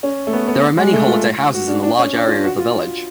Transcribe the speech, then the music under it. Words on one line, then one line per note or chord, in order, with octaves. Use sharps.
There are many holiday houses in the large area of the village.
C#4
A3
B3
B3
G#3
A3
F4
F#4
D4
D4
C#4
D4
F4
F#4
F4